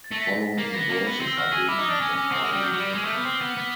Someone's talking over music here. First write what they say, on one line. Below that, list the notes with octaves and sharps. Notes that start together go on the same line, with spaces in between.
Following verses are given in the Pali Canon.
A6
A3 A#6
B6
B6
A#3
B3 A#6
A#3
B3
C4
E6
F#4 F6
G#4 E6
E4 D6
D#4
D#6
D4
C#4
C#4
C4 E6
G#3
F6
G3
F#3 G6
F#3
G3
G#3
A3
B3
C4
B3
B3